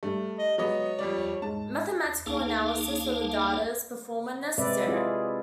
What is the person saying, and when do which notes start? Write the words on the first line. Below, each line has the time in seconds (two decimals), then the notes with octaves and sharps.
Mathematical analysis of the data is performed when necessary.
0.03 G2 A3
0.39 D#5
0.58 F#3 G#3 B3 C#5 D#5
0.99 F2 G3 D5
1.42 G#2 A5
2.26 D2 A#3 D#4 G#4 F5 A5
4.58 C3 G#3 C4 B4 D5 E5
4.86 G#3 C4 E4 F4 G#4